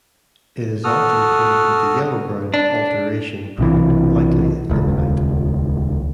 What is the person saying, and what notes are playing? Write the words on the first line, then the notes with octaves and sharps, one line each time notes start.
It is often coated with a yellow-brown alteration product, likely limonite.
F#4 A4 D#6 F6
D4
B1 C3 E3
D#1 C#2